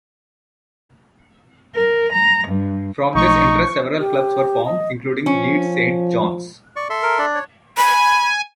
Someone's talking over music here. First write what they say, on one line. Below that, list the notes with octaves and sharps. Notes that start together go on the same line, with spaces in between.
From this interest several clubs were formed, including Leeds Saint John's.
A#4
A#5
G2
B1 F3 A3 D#4 C#6
G4
D#5
F3 C#4
D5 C#6
A4 E5 C6
A#4
D4 D5
C#5
G#5 B5